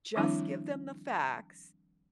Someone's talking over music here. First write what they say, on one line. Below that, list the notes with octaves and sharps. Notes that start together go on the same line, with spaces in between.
just give them the facts,
D#3 F3 G3 C4 D4 E4